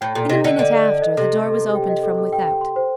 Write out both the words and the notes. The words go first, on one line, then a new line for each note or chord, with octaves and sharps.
In a minute after, the door was opened from without.
A2 G5
A#2 A4
C3 D#5
D3 D#5
D3 D#5
A4
A4
D#5
C3 A4
A4
A4
A4
G5
D#5
A4
A4
G5
G5
C6
C5